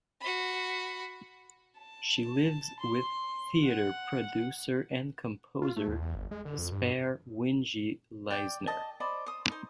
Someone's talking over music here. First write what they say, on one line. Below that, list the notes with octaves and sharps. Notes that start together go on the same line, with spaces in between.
She lives with theatre producer and composer Jesper Winge Leisner.
F#4 B5
A5
C6
F#5
F4
A3
D#2
E2
G1
G#3
D3
F2
G2
D5 G5
D#5 A5
C5 D5 D#5 B5
C5 D#6
D#4 C5